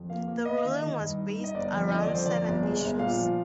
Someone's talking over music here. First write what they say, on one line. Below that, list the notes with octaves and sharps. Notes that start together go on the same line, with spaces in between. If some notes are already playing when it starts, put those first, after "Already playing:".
The ruling was based around seven issues.
Already playing: F2
A#3 F5
A#3
A#3 D#5
F5
D#3 D#5
D#3
G2
D#4
D#4
D#5
G1 D5
F2
D3 D#5
D5
F2
C5
F2 D5
G1
G#3
G1
A#2 F5
F3